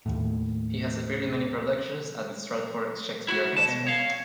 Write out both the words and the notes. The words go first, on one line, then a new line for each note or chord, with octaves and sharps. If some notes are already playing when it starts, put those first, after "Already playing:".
He has appeared in many productions at the Stratford Shakespeare Festival.
D#2 A2
E4 F#4
D3 A5
B2
C#5 F5